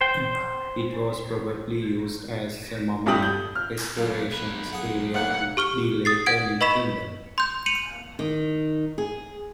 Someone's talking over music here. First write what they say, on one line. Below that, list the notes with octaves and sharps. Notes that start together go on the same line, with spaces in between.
It was probably used as a mummy-restoration area in the later New Kingdom.
C5 G5
C2 G2 D3 G4 D#6 F#7
G6
F6
F#2 B2 A#3
B1 B4
G#4 F#5
A2 A#3 F#5
G4 C#6 F6 G7
D#6 A6 C7
F#5 G#6 D7
B4 D#5 B5 C#6 B6 E7
C6 G6
C#7 D#7 F7 F#7
D#3
G#4